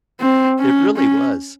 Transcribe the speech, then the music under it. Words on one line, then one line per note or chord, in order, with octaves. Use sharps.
It really was.
C4
C#4
C#4